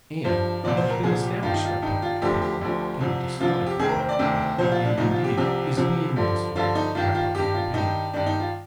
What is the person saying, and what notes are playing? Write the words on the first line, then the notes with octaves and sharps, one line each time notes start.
And what has been established by public opinion can be destroyed by public opinion--and, indeed, is being destroyed by public opinion.
G2 F3 C5
C2 A#2 F3 D5
C5
A#4
C2 A#2 F3 G#4
G4
G2 D#3 F4
D#4
F4
G2 D#3 D#4
F4
D2 D3 F3 G4
G4
D2 D3 F3
C2 C3 F3
C2 C3 F3 F4
F4
G4
D2 C3 D#3 G#4
A#4
C5
D5
D2 C3 D#3
C2 A#2 F3 C5
F4
D4
C2 A#2 F3 D#4
F4
G4
C2 C3 F3 G4
C2 C3 F3
G2 D3 F3
G2 D3 F3 F4
D#4
G2 D#3 F4
F4
G2 D#3 G4
F4
G2 D#3 D#4
G2 D#3 D4
D#4
F4